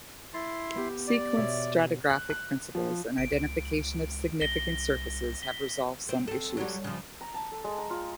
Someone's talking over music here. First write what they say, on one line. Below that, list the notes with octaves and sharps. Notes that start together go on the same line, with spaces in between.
Sequence stratigraphic principles and identification of significant surfaces have resolved some issues.
E4 C6 A6
B3 G4
D5
B2 C#5 E5
F#6
F#6
F3
G#1 D7
C#2
C2 A#6 G7
B6 G7
C4
C4 A4
F#3 G3
C#3 F3
A#5
A5
A4
G#3
A#5
F4